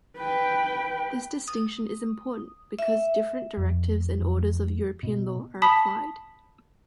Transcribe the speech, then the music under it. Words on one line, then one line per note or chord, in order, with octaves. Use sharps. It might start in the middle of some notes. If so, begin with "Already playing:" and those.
This distinction is important, because different directives and orders of European law are applied.
B4 G5
D#6
E5
F2
F2
B2
A5 B5 D#6 B6